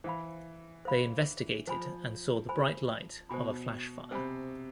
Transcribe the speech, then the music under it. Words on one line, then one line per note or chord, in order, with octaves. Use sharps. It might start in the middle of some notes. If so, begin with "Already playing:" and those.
They investigated and saw the bright light of a flash fire.
E3 C5 F5 B5
C5 F5 B5
F3 C5 G#5 B5
C5 G#5 B5
B2 C5 G#5 B5
C3 C5 G#5 B5